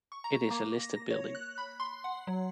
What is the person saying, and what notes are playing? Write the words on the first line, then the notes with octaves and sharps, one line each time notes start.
It is a listed building.
C#6
A#5
A#3
A#6
C#5
F#6
B5
C6
F#5
F#3